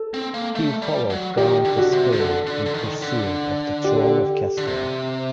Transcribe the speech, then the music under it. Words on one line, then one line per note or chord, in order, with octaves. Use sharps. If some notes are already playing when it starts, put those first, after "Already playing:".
He followed Gaunt to Spain in pursuit of the throne of Castile.
Already playing: A4
C4
A#3
A3
G3
F#3
D#3 G4
D3
F#4
C3
D#3
D3 A4
D3
D3
D#3
D3
G4
A4
G4
D3
C3